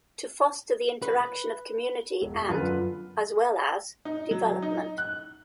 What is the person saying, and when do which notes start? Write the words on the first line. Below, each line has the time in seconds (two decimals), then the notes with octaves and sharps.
To foster the interaction of community and as well as development.
1.02 B4
2.21 E1
2.50 F#2 D3 F4 B4
4.05 D#4
4.31 F#3
4.62 D#4
4.98 F#6